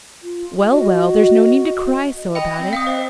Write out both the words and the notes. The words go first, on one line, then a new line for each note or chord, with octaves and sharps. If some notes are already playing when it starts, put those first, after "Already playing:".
"Well, well, there's no need to cry so about it."
F4
F#4 D#5
D#5 G5 B5
C4
F5 G5 D#6
C4 C5 D#5 C7